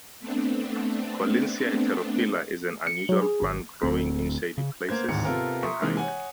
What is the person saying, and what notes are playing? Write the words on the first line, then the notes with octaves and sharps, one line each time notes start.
"Collinsia heterophylla" is an annual plant growing in shady places, in height.
A3 B3 C4 D4
C#7
F#3
G#4
G#1
D1 D2 C4
C#3
A#3 B3 C5 G#6
D1 G#1 D#2 G#2 C#7
C3 B3 F4 A4 A#4
E5 A#5 C6 C#6 D#6
C3 E3 G#3 A#3 D#4
C#5 F#5 G#5